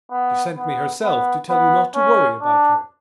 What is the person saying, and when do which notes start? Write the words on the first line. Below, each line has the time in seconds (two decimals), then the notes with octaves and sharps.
She sent me herself, to tell you not to worry about her.
0.11 B3
0.57 B3
1.04 B3
1.50 B3
1.95 C#4
2.42 D4